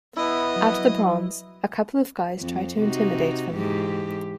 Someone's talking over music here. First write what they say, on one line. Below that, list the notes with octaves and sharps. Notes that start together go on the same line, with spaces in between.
At The Bronze, a couple of guys try to intimidate them.
B3 E4 D#5
F#3
F2
C3 D#4 F#4
G#2 E3 G4